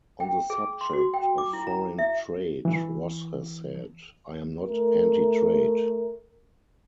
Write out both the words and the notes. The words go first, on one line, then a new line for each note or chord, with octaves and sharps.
On the subject of foreign trade, Ross has said: I am not anti-trade.
G5
G#4
C6
F#4
G5
D6
E4
A#5
E5
E3
A3 A#4